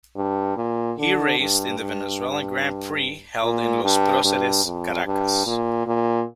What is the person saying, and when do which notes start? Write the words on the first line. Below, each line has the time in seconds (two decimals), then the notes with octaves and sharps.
He raced in the Venezuelan Grand Prix held in Los Proceres, Caracas.
0.16 G2
0.57 A#2
0.98 D3
1.39 G2
1.80 G2
3.43 A#2
3.84 G2
4.24 G2
4.65 F2
5.05 G2
5.46 A#2
5.87 A#2